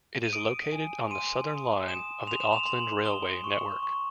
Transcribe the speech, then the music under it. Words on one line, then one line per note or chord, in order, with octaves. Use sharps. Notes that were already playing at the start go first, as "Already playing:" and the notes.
It is located on the Southern Line of the Auckland railway network.
D#7
D#6 D7
G#5
C6 D#7
D#6
D#6 E7
C6 F7
E7
F7
C6 F#7
D#6 G7
C#6
C#6